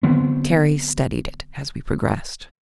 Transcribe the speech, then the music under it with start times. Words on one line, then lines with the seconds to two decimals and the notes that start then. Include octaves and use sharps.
Terry studied it as we progressed.
0.03 D3 F#3 B3 C4